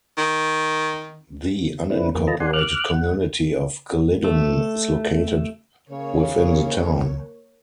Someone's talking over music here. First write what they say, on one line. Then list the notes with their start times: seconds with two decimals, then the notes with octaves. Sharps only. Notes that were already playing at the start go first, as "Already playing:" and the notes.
The unincorporated community of Glidden is located within the town.
0.18 D#3
1.90 C4 D4 E4 B4
2.15 F2 A#3
2.27 F4 A4 B4 D#5 A5 A#5
2.40 D5 F#5 G#5 C6
2.53 D6 F6 F#6
2.92 F#5
4.24 A3
5.89 C#3 A#3 C#5